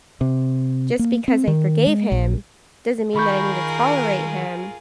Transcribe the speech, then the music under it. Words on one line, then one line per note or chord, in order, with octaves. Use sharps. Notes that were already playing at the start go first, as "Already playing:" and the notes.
just because I forgave him doesn't mean that I need to tolerate him
C3
A#3
C4
D#3
G#3
A#1
D#3 F4 G#4 A#4 B5 C#6 G6